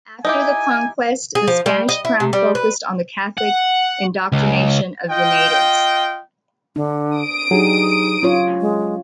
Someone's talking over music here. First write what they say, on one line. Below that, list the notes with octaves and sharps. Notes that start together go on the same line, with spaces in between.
After the conquest, the Spanish crown focused on the Catholic indoctrination of the natives.
D#4 E4 G4 G#5
G#4
F3
G3
D#5
E4
C3
G3
B4
F#5
C#2
F4 D#5 G5
D3 D4
D#6 D7
F#3 D4 D#4 G4 G#4
F#3 C#4 F4 C#5
G#3